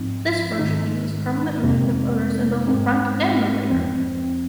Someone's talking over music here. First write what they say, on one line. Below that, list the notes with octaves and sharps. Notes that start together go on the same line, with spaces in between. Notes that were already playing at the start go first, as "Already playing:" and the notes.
This version uses permanent magnet motors in both the front and the rear.
Already playing: G#2 F3 C4 D#4
G#2 D#3 G#3 D#4
F2 C3 G#3 C4 D#4
G#2 G#3 C4 D#4
F2 F3 C4